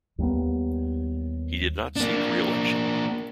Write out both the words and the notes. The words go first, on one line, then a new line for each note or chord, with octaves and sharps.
He did not seek reelection.
D#2 G3 A#3 B3
A#3 D4